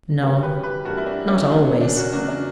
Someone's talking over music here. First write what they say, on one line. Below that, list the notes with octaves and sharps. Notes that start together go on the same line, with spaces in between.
"No, not always."
G2 E3 G3 F#4 A#4
C#5
G4 B4
G4 B4
G2 E3 G3 F#4 A#4
E4
D4 F#4
C#4 E4
E2 C#3 F#3 D4
C#4
D4
F#4 A#4
E2 C#3 F#3 D4 F#4
D4